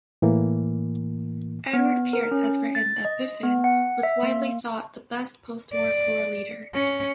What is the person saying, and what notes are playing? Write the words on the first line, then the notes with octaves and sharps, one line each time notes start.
Edward Pearce has written that Biffen "was widely thought the best post-war floor leader".
A2 E3 A#3
B3
A#4
C#4
A6
D#5
B3
F#5
E5
A#3
D5
C#4